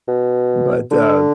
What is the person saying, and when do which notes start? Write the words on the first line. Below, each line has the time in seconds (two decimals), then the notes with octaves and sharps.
but, uh,
0.08 B2
0.91 D3